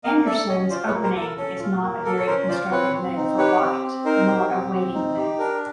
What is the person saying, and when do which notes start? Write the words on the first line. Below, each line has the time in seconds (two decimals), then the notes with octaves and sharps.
Anderssen's Opening is not a very constructive move for White, more a waiting move.
0.04 A#3 D#5 F5
0.26 A4 D5 E5
0.49 C#4 C#5 D#5
0.70 F4 C5 D5
0.87 B4 C#5
0.92 A#3
1.03 A#4 C5
1.15 A4
1.21 A#4
1.37 C#4 A4
1.60 F4
1.82 A#3
2.04 A4 A#4
2.19 C#5
2.27 C#4 A#4 C5
2.48 F4 C5 D5
2.71 C4 B4 C#5
2.93 C4
3.16 D#4
3.38 G4 B4 C#5
3.60 C4
3.82 C4
4.05 D#4 A#4 C5
4.28 G4
4.50 C4
4.72 C4
4.94 D#4
5.17 G4
5.38 D4 A#4